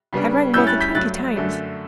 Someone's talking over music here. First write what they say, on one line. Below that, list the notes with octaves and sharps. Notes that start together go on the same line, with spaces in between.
I rang more than twenty times.
C#3 G3 B3 D4
A2 G3 C#4 E4 E6 G6
F#6 A6
G6 B6
G2 F#3 A3 F#6 A6
F#2 D3 A3 D4